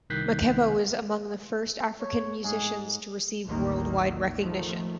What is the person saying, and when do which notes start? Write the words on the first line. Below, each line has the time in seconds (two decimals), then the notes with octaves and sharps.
Makeba was among the first African musicians to receive worldwide recognition.
0.10 C2 D#3 F#6 G6 B6 C7
2.01 C#5
2.44 G#2 G#4
3.47 A1 D#2 D#3 A#3
4.36 D#3 F3 A3